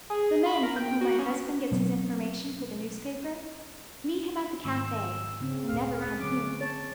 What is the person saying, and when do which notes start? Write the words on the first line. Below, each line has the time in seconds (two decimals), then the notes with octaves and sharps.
The men from whom my husband gets his information for the newspaper meet him at the cafe, and never come here.
0.10 G#4
0.46 B5
0.63 A#4
0.76 G5
1.01 F#4
1.19 C#4
1.72 B2 F#3 B3 C4
4.64 G#2 D#3 A3 E6
5.40 C#3 C4 C#4
5.68 D1 G1 A#2 F5
6.00 B3
6.20 D3 F#3 C#4 D6
6.61 C#5 A5